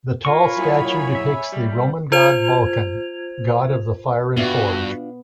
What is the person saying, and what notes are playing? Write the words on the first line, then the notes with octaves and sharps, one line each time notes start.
The tall statue depicts the Roman god Vulcan, god of the fire and forge.
F4 A#4 C#5 G#5 B5 C#6
F#3 E4 F#4
E5
G3
F4 C5 G#6 F7
G2 B3 D4 F4 F#4 E5